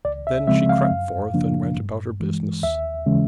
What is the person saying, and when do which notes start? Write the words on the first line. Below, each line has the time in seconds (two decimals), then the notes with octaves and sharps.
Then she crept forth, and went about her business.
0.05 C#2 D5
0.27 E5
0.47 C#3 F3 G#3 C4 E5
0.69 F5
0.90 F#2
1.34 C#3 F3 A#3 D4
1.77 G2
2.20 E3 G#3
2.63 D#2 E5
3.06 C#3 E3 G#3 C#4